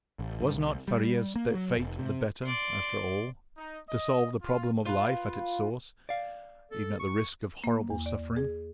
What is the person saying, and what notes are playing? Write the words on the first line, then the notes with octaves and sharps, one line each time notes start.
Was not Faria's fate the better, after all--to solve the problem of life at its source, even at the risk of horrible suffering?
A1
G2
C2
G3
A#3
F#3
F1
C3
D5 C6
D#4
D#5
F4
F4 B4
D5 F5
A4
C#6
A#3
E2
D5
G#4